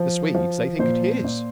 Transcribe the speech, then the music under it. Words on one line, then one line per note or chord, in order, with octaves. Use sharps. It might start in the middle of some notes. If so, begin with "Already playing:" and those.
The Swedes, they think it his.
Already playing: F3
F3
A#2 C5
A#2